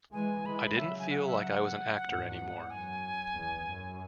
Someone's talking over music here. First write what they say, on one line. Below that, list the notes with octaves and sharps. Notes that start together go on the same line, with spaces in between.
I didn't feel like I was an actor anymore.
E3 G#3 G#5
E3 G#3 B5
C#3 F#3 E5
G#5
F#5
E5
F#5
E2 G#2
F#2 G#5
E2
F#2